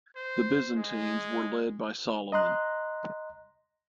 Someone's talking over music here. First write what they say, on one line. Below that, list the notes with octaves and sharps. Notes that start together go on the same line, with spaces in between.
The Byzantines were led by Solomon.
C5
G#3
D#5 A#5 C6 F#6